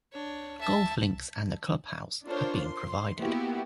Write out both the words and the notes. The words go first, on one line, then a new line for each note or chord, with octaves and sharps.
Golf links and a clubhouse have been provided.
D4 C#5
E5 A5
D4 F4 A4 A#4 C5 C#5
C6
A#3 B3 E4 F#4 G4